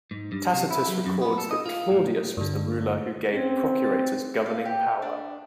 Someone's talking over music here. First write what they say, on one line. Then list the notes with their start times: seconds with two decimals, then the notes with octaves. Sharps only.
Tacitus records that Claudius was the ruler who gave procurators governing power.
0.11 G#2
0.32 G2
0.53 C3
0.71 E4
0.87 F#3
1.06 F#2
1.21 B3
1.38 A4
1.51 D#5
1.66 F4
1.91 A2
2.37 G2 D3
3.33 C4 C#4
3.84 A6
4.46 F5
4.65 G4
5.02 D4